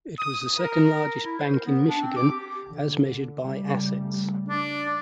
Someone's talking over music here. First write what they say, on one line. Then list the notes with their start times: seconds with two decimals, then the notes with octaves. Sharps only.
It was the second-largest bank in Michigan as measured by assets.
0.19 D#6
0.59 A#4
1.24 E4
1.39 C5
1.53 A#4
1.65 B3
1.89 D4
2.01 C4
2.16 D6
2.31 G4
2.69 D3
3.40 C#3 G3 A3
4.48 D4